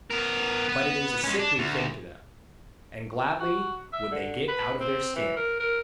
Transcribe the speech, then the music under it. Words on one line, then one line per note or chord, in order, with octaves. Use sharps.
But it is a sickly thing to them, and gladly would they get out of their skin.
B3 A#4
B3 B4
G#3 C#4
D4
D2
F#4
E5
D3
B4
C4
E3
A#4
A#4